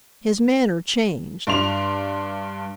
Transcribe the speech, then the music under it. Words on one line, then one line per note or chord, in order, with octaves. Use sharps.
His manner changed.
G2 D4 C6 F7